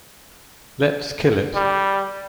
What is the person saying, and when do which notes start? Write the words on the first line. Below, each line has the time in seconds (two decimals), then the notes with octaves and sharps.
Let's kill it.
1.55 G3